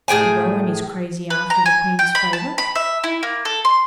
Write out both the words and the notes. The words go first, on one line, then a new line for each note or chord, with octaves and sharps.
De Rohan is crazy after the Queen's favor.
A2 G#4 G5 G#5
B4
A#5
G#5
G5
B5
A5
B5
E5
E4
A#3
A4
C6